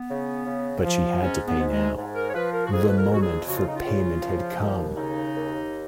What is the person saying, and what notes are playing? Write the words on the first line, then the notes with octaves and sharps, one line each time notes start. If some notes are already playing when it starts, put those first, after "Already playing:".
But she had to pay now; the moment for payment had come.
Already playing: B3
C#3
C#3
F3
G#2 C#4
B3
G#2
G#3
G#2
A#4
C#5
F3 B4
A#4
F#4
F2 G#4
B4
A#4
F2 F#4
G#4
C#3 F#4
F4
D#4
F4
C#3
F3
D#2
C#3 D#4
D#2